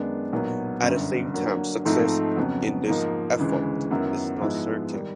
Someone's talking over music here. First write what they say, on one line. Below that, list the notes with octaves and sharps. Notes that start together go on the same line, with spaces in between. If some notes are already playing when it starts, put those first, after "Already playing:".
At the same time success in this effort is not certain.
Already playing: F#2 D#3 G#3 B3 D4
B1 A#2 F#3 B3
G1 F#2 D3
D3 F#3 A#3
G#2 F3 A3 C4 D#4
F2 C#3 F#3 B3
G#2 F3 A#3 D#4
D2 C#3 E3 G#3
F#2 D#3 F#3 B3 E4
G#2 F3 G#3 B3 E4
D#3 G3